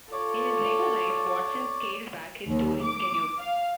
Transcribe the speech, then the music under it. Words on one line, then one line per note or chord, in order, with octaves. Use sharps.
In his later life, Watson scaled back his touring schedule.
F4 A4 C#5 D5 D6
D#2
D6
F5